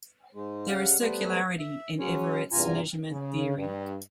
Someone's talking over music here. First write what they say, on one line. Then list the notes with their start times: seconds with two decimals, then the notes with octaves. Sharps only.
There is circularity in Everett's measurement theory.
0.35 G#2 G#3
0.68 C#3 G3 F5 F#5
1.00 G3 A3 B3 B4 C5
1.59 E5
1.99 F#3 G#3 C#4 C#5
2.52 E2 G2 C3 F4 G#5 A#5
3.10 C#3
3.57 G2